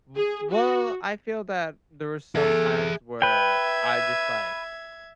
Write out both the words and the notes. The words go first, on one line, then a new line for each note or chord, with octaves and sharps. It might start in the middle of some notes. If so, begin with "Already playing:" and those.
W well, I feel that there were some times where I just, like,
G#4
F#4
G#4 A4 E5
B4 E5 G5 G#6